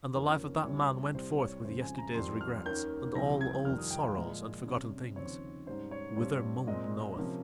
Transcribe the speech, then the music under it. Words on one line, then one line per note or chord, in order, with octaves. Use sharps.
And the Life of that man went forth with yesterday's regrets and all old sorrows and forgotten things--whither Mung knoweth.
F2 D#3 A#3 C#4
C2 C3 G3 C#5
C2 C3 G3 C5
C#5
F2 C#3 G#3 C4 C5
G#5
A#5
F2 D#3 G3 C6
F6
D#2 D#3 A#3 C#4 G6
C2 C3 F3 A#6
G#6
F2 D#3 G3 F6
D#6
G5
F5
A#2 F3 G#3 D#5
C3 G3 C#4
D#2 C#3 F3 C4 C#5
G#2 G3 C#4 C5
C#5
G2 G3 C4 C#5
A#2 G#3 C4 D#5
C3 F3 A#3 C#4